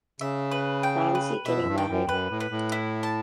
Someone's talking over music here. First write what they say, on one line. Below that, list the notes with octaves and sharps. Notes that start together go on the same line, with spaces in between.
Fancy getting married?
C#3 E5
B4
G5
B4
B2 E5
F#2
G2
G5
F#2
E2
F#2 B4
A2
B4
A2
E4
A5